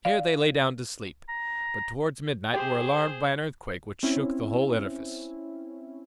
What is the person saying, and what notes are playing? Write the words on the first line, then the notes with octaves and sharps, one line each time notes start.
Here they lay down to sleep, but towards midnight were alarmed by an earthquake which shook the whole edifice.
D5 F5
A#5
G4 G#4 C5
C4 C#4 E4